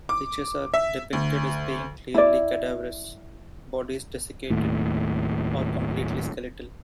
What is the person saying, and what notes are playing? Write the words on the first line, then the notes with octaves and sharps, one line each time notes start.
Liches are depicted as being clearly cadaverous, bodies desiccated or completely skeletal.
D6
E5
D2
E4 D5
D#2 A2